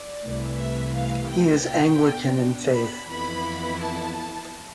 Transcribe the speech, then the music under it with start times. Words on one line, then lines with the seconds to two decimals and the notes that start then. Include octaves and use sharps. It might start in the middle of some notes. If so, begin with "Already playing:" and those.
He is Anglican in faith.
Already playing: D5
0.24 C2 C3 E3 A3
0.59 E5
0.95 F5
1.31 G5
1.66 B2 B3 D4
2.74 B5
3.09 F2 E3 B3 E4 B5
3.81 A5